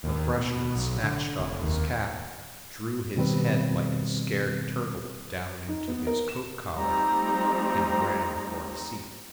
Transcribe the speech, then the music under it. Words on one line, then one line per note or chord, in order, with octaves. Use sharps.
The freshman snatched off his cap, drew his head like a scared turtle down into his coat collar, and ran for a seat.
D#2
B2
B1
D3
F1
D#2
B2 D#3 G3 C4 B4
D#4
B3
A#4
E7
F3 G3 A3 C4 D#4 A#5